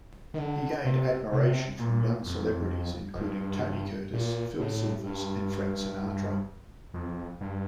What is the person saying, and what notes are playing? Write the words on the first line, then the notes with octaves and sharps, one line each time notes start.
He gained admiration from young celebrities, including Tony Curtis, Phil Silvers, and Frank Sinatra.
D#3
D3
C3
C3
A#2
F2
F2
G2
A#2
A2
G2
F2
G2